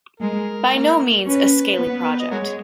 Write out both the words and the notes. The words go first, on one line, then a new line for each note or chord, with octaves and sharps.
By no means a scaly project.
G#3 A#4
A#3
C#4 B4
B3
D#5
G#3 F#4 A#4 C#5